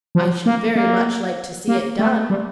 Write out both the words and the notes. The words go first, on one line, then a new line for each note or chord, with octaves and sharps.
'I should very much like to see it done.
F3
A#3
A#3
A#3
A3
G3